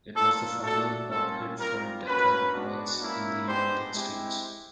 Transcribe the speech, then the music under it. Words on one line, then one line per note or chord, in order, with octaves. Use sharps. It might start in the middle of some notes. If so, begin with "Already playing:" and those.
It was the final pop hit for Decca Records in the United States.
A#3 D4 F4 A4
A3 D4 F#4 A4
G3 A#3 C#4 F4 A4
G3 C4 F4 A#4
A#3 C#4 F#4 B4
G#3 B3 D4 F#4
A#3 C#4 E4
G#3 B3 D4 G4 C5
G#3 C4 E4 G4